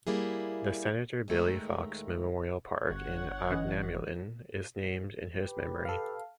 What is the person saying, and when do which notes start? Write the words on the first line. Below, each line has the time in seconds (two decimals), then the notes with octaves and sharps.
The Senator Billy Fox Memorial Park in Aughnamullen is named in his memory.
0.07 G3 A#3 E4 G#4
1.28 D#2 G#3 A3 A#4
2.90 G1 C#5 F#5
3.51 E3 C#4 D#5
5.39 G4 B4
5.85 A4 F5